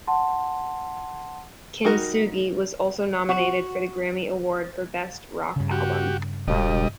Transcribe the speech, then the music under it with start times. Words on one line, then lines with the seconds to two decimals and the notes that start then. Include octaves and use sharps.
"Kintsugi" was also nominated for the Grammy Award for Best Rock Album.
0.07 F#5 A5 C6
1.84 G3 D#4 F#4 A#4
3.29 F#4
5.56 G2 C#3
5.71 F#4 G4
6.48 E1 G3 D#5